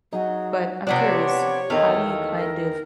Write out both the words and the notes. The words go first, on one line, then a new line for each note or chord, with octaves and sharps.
but I'm curious, how do you kind of
F#3 D#4 G#4
C3 F3 B3 D4 C#5
E2 D#3 A3 D#5 F5
A#4